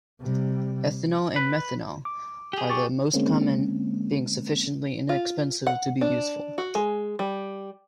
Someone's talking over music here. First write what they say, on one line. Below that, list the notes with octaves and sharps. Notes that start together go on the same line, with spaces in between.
Ethanol and methanol are the most common, being sufficiently inexpensive to be useful.
C3 G3
B4
D6
G4 G#4
C#6 D6 A6
D3 G#3 A#3 C4 C#4
F4
F#5
D4
F#4
G#3
G3